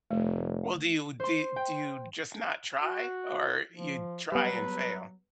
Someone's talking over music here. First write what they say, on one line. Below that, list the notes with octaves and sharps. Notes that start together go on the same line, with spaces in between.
Well, do you d do you just not try or you try and fail?
F1 A3
C5 C6
G5
F#4
F3
F#3 G3 B3 B4